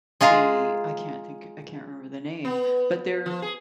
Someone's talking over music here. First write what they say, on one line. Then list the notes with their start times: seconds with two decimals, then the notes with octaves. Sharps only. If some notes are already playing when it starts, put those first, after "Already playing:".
the I can't think. I can't remember the name. But they're
0.21 G#3 F4 G#4 A#5
2.45 B3
3.26 F3
3.42 G#4